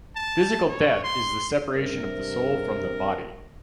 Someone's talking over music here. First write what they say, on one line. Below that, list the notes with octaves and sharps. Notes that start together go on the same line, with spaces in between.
Physical death is the separation of the soul from the body.
A5
C#5
C6
G2 C3 A#4